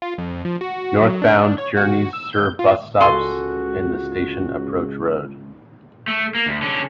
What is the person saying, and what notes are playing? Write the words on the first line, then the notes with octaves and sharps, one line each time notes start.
Northbound journeys serve bus stops in the Station Approach road.
F4
F2
F3
F#4
F#3
D4
C#5
F#4
E6
G6
F4
C#2 F#4 A4 G#5 C6
A3
A#3
D2
D3 C#4